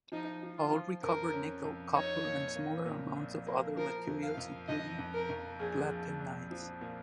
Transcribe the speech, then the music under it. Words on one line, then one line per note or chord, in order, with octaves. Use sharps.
All recovered nickel, copper, and smaller amounts of other materials including platinides.
F3 D#4
F3
F4
F3
F2 A#4
C#4
F2
D#4 C#5
A#2
A#3
A#2
A#1
A#3
F3 A#4
F2
F5
F2
F2 D#5
F2
A#4
F2
A#1 G#4
A#1
A#1
F3
A#2